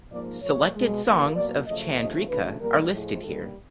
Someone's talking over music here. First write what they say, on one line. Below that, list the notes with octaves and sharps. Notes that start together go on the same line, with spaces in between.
Selected songs of Chandrika are listed here.
G#2 F3 A#3 D5
A#2 F3 A3 C#5
B2 G#3
G2 E3 G3 A#3
B2 F#3 A#3 D5
F#2 C#3 F3 A3 D#5
D#2 C#3 F3 A3 D#5
D2 C#3 E3 A3 B4
A#2 G3 A#3 A#4
A2 F3 G#3
G2 D#3 G3 A#3 A4